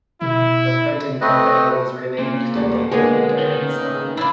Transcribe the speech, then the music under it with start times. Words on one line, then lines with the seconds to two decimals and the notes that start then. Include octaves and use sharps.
The printing company was renamed to David Winter and Son.
0.22 B2 E4
1.21 A3 C4 B4 D#5
2.18 A#2 C#3
2.55 E2 G3 A3
2.92 D3 G#3 A#3 B3 G#4 C#5
3.39 D#3
3.57 C#3
4.17 D4 E4 F4 D5